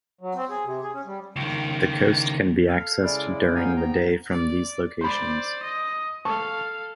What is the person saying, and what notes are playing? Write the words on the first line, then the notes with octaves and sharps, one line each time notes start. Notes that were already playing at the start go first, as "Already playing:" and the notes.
The coast can be accessed during the day from these locations.
F#3
C4
G#4
C3
G#4
C#4
G3
C#2 D#3
A4 F5
C#3 G#3 E4 D5
G#2 B3 D#4 F5 G5 G#5
B3 A#5
D5
C5 D5 B5 C6
D#5
A4 F5 A5 C#6